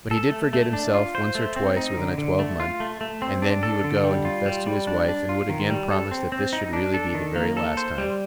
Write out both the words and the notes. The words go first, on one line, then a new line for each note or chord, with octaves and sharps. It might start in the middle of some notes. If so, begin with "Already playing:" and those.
But he did forget himself once or twice within a twelvemonth, and then he would go and confess to his wife, and would again promise that this should really be the very last time.
A4
A3
A3
D4
F4
C5
A3
C4
D#4
D3
D3
A3
F4
A3
A3
C4
D4
A4
D3
G3
F4
G3
G3
D4
D4
F4
D#3
G3
A4
C4
C4
D#4
D4
A4
D#3
A#3
A4
C5
G3